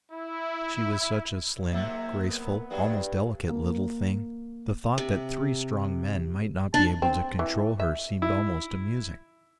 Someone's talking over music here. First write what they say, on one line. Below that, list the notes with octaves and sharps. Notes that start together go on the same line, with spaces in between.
She was such a slim, graceful, almost delicate little thing; the thought that three strong men might not be able to control her seemed almost amusing.
E4
G#2 C3 F#3 A#3 E5
B3
E2 G2 F#3 G#4
A#3
C3
D4 A5
C4
E3
E5
E4